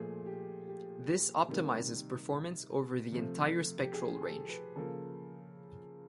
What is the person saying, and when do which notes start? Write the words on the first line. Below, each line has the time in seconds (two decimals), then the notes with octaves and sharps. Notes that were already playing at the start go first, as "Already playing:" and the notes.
This optimizes performance over the entire spectral range.
Already playing: A#2 F3 A3 G#4
0.26 G4
0.68 G4
1.48 C3 D#3 G3 A#3
3.12 C3 F3 A3
3.83 G4
3.94 G#4
4.22 A4
4.49 B4
4.76 C#3 F3 A#3 A4